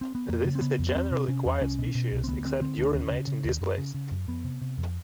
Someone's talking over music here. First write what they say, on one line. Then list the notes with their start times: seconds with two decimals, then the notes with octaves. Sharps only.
This is a generally quiet species, except during mating displays.
0.01 C4
0.15 B3
0.29 F2 A#3
0.45 C#3
0.55 C4
0.61 C#3 B3
0.79 F2
0.88 B3
0.95 E2 C4
1.11 C3
1.28 C3 C#4
1.45 E2
1.61 C2 C#4
1.79 B2
1.95 B2
2.12 C2
2.24 C4
2.28 D2 B3
2.45 D3 C4
2.61 D3 C4
2.78 D2 D4
2.94 D#2 C#4
3.11 C#3
3.28 C#3
3.44 D#2
3.61 F#2
3.78 C#3
3.95 C#3
4.11 F#2
4.28 F2 B3
4.44 C3
4.62 C3
4.78 F2